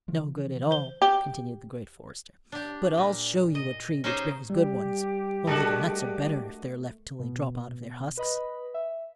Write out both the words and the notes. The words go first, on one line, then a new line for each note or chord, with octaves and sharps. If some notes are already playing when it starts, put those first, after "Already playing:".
"No good at all," continued the great forester; "but I'll show you a tree which bears good ones, only the nuts are better if they're left till they drop out of their husks."
C#3 E3 F3
C5 G7
G4
D4 G4
A#2
D#5
C#4 D#4 G4 G#4 C5 D#5
G3 G4
G#3 A3 D4 F#4 A#4 D#5
B2
B4 D#5 B5
E5